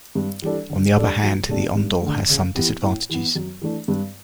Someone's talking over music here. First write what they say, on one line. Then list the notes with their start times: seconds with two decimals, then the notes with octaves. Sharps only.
On the other hand, the Ondol has some disadvantages.
0.15 G2
0.42 E3 G3 D4 A4
0.69 D3
0.96 G3 D4 A4
1.23 F#3
1.49 A3 D4 G4
1.76 G2
2.02 D3 A3
2.29 C#3
2.55 E3 B3 E4 G4
2.82 A2
3.09 E3 B3
3.35 F#2
3.62 E3 A3 D4
3.88 G2